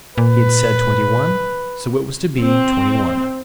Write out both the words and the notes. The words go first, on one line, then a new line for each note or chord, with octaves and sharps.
He had said Twenty-One, so it was to be twenty-one.
A#2 B4
C4